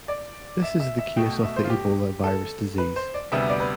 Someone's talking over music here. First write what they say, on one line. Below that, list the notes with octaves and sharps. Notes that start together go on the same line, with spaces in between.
This is the case of the Ebola virus disease.
D5
E5
E5
E5
B2 A3 G5
E5
C5
F4
G4
A4
B4
C5
D5
D2 C3 G3 B3 E5
D5
B4